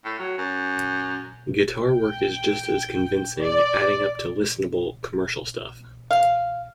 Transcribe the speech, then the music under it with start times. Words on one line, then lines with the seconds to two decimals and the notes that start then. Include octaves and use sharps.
Guitar work is just as convincing, adding up to listenable, commercial stuff.
0.05 A2
0.19 F#3
0.38 F#2
1.88 G5
3.40 D5
6.11 F5